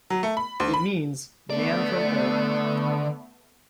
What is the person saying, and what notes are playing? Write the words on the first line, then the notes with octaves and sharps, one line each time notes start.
It means "man from Ulm".
F#3
A3
B5
D2
B5
D3 A3 B3 D5